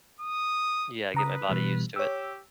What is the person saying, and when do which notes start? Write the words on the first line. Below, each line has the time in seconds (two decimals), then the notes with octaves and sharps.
Yeah. I get my body used to it.
0.21 D#6
1.14 C#3 B4 A#5 D#6
1.49 B2 E3 G3
1.96 G4 C#5 E6